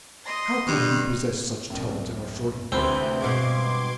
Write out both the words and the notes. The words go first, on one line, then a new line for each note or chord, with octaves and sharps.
How come you possess such talent and are short of bread.
D#5 C6 A#6
G2
C2 F#2 A2
D2 C3 E3 C4 B4 B5 C6 G6
G2 B2 G#3 C6 D6 G#6